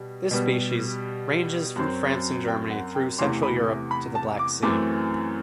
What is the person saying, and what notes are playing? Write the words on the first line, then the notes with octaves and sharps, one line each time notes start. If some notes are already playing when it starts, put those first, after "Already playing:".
The species ranges from France and Germany through central Europe to the Black Sea.
Already playing: B2 G3
B2 G3 B3
F#2 F#3 C4
G5
F#5
G5
E2 C3 E3 A3 C6
B5
B5
A5
D6
F#2 E3 A3 C4 D6